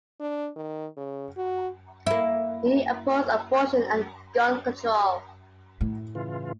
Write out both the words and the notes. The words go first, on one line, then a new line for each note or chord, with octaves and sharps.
He opposed abortion and gun control.
D4
D#3
C#3
F#4
A#3 E4
A2
C#3 E3 F4